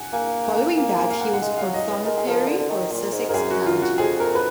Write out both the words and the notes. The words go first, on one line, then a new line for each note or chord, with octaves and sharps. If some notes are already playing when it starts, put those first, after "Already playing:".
Following that he was Prothonotary for Sussex County.
Already playing: F#5 G#5
A#3 G#5
G#5
A#3 G#5
G#5
F5
F#5
F#5
G#3 F5
F5
F#3
D#5
B4
G#3 A#4
G#4
F3 A#4
D3
D3
D#3
A#2
G#2
G#2 A#4
F#2 G#4
F#4
F4
F#4
F2 G#4
A#4
B4